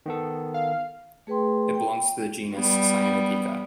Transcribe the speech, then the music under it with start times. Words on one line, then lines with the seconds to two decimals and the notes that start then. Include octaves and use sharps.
It belongs to the genus "Cyanopica".
0.06 D#3 B3 A4
0.54 F5
1.27 A3 G#4 B4 G5 C6
1.75 G5
2.54 G3 B3